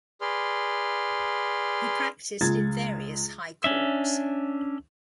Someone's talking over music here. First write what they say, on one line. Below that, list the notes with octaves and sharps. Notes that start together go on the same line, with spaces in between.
He Practiced in various High Courts.
G#4 B4 D5 C6 F6
C#2 G#3 F4 G#6 A6
C#4 D4 E5